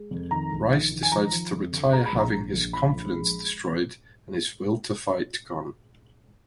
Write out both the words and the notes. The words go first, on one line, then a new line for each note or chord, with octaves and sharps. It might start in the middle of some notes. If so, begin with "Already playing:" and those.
Reiss decides to retire having his confidence destroyed and his will to fight gone.
Already playing: G#3
F2
D#3 A#5
A#1
D#3
D#3
G#5
F3 A#5
F3
F2
D3
G#3 A#5
B5
A#1
A#5
A#1
A#1
F3 B5
A#1
G#3